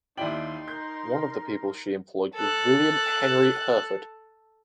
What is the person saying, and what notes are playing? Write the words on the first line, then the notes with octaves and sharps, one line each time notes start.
One of the people she employed was William Henry Herford.
D#2 D#4 E4 D5 G5 C6 F#7
A#4 G6
A4 F#6